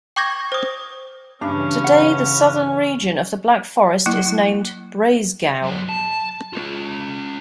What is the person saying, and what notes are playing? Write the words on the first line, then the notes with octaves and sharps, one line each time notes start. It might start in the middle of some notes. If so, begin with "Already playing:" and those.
Today the southern region of the Black Forest is named Breisgau.
G5 C#6 D6 G6 G#6 A#6
C5 D#6
G2 C#3 E3 C#4 D4
B4 F#5
F#3 A#3 E4
F#2 C5
A5
C#4 F4